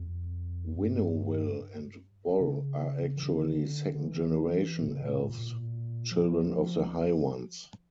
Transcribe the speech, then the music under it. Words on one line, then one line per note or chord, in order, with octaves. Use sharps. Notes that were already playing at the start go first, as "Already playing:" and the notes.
Winnowill and Voll are actually "second generation" elves, children of the High Ones.
Already playing: F2
G2
C#3
E3
D3
D3
E3
A#2
C#3
A#2
A2
A#2
F3